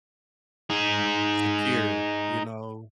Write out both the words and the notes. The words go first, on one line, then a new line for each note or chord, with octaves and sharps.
secure, you know?
D#4 G#4